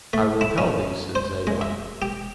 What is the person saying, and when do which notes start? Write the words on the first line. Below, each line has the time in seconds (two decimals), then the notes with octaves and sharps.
"I will tell thee," said Zadok.
0.13 A3
0.41 E4
0.58 C#4
1.15 C5
1.47 G#3
1.61 E5
2.02 G4